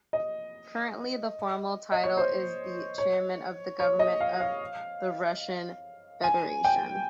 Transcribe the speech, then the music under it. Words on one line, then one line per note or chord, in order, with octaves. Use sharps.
Currently, the formal title is the Chairman of the Government of the Russian Federation.
D#5
D#5
C#5
C5
C#5
C#5
D#5
F5
F5
G#5
G5